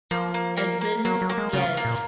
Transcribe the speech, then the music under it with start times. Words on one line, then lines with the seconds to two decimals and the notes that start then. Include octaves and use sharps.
Edmund Gedge.
0.11 F3 A#3
0.34 A#3
0.57 A#3
0.81 A#3
1.05 F#3 A#3
1.22 F#3
1.29 A#3
1.38 G#3
1.53 C#3 F4
1.77 A#3
1.85 A#2